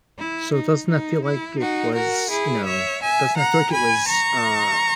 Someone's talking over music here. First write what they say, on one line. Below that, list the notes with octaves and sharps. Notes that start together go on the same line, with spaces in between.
So, doesn't that feel like it was, you know doesn't that feel like it was, uh,
E4
D#4
D#4
E4
D#4 F#4
F#4 A#4
E4 G#4
C#5 E5
E5 G#5
F#5 A#5
G#5 B5
A#5 C#6